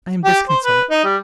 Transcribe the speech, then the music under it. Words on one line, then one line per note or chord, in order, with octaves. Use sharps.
I am disconsolate.
G4
C5
B4
D#4
G3